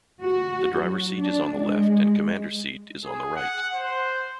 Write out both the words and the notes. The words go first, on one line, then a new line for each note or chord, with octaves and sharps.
The driver's seat is on the left and commander's seat is on the right.
F#4
F#3
D4
G#3
G#4
F#5
C5